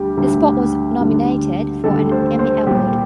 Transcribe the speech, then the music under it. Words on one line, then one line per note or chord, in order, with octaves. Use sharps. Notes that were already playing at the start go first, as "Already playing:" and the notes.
The spot was nominated for an Emmy Award.
Already playing: D2 D3 G3 G4
D2 D3 G3
D2 D3 G3
D2 D3 G3 A4
C5
C5
C2 A#2 G3 G4